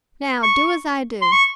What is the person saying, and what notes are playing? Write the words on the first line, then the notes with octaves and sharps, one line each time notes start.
Now, do as I do.
C#6
C6
C#6